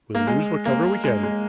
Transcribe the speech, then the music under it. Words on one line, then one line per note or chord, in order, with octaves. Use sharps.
"We'll use what cover we can."
A#3
G#3
A#3
G#3
G#3